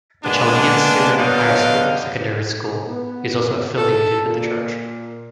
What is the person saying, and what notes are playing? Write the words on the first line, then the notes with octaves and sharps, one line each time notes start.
The Chaldean Syrian Higher Secondary School is also affiliated with the church.
G#3 A#3 B3 D4
D3 F#3 G3 B3 D#5 F5
B3
A4
A#2